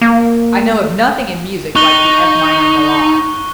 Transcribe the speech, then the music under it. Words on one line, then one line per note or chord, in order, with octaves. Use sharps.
I know of nothing in music like the F minor Ballade.
A#3
D#4 C#6 F#6 G7